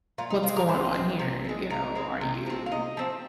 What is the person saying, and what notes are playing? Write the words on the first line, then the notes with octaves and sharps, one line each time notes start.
what's going on here, you know, are you
A#2 F4
D#4
G#3 C4 F4
A#4
A#2 C5
G#3 C4
C3
G#3 C4
C3 A#4
G#3 C4
C3
F3 C4
F5
C3 D#5
F3 C4